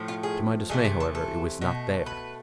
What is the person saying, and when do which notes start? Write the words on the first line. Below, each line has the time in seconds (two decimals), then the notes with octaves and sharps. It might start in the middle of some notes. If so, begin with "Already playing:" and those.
To my dismay, however, it was not there.
Already playing: A2 F3 A3
0.08 F4
0.23 G#4
0.69 C3 E3 A3 G#4
0.85 G#4
1.00 A4
1.15 A4
1.61 B2 A3
2.06 B4